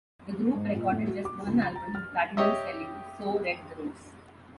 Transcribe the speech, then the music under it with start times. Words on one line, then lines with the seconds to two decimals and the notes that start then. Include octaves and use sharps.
The group recorded just one album, the platinum-selling "So Red the Rose".
0.54 G#2
0.75 A#2
0.92 A2
1.08 F#4
1.25 D6
1.47 C#2
1.62 A6
1.76 A#5
1.95 F6
2.37 G4 C#5 D#5 E5